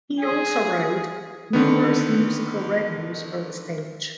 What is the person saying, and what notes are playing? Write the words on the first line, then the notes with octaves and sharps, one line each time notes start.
He also wrote numerous musical revues for the stage.
G#4
D3 D#3 B3